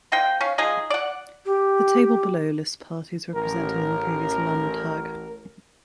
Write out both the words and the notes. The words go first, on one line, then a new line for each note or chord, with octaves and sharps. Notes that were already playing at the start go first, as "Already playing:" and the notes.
The table below lists parties represented in the previous Landtag.
A#3 D#4 C5 G5
C#4 F5
G#3 D#4 F4 G#4
D5 F#5
G4
A1 A#4